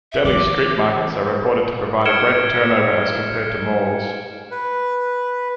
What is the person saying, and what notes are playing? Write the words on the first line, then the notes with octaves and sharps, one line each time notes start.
Delhi's street markets are reported to provide a greater turnover as compared to malls.
E5
D3 E3 D6
F6 G#6 C#7 D7 E7 G7
B4